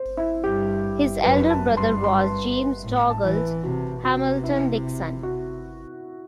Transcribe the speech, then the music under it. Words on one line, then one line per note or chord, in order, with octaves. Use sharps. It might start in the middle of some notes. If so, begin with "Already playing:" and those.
His elder brother was James Douglas Hamilton Dickson.
Already playing: C5
E4
G2 G4
F#2 B4
A5
G2
C6
C6
A2
A5
E3
B4
C3 F#4
C3 F#4
E4
F#4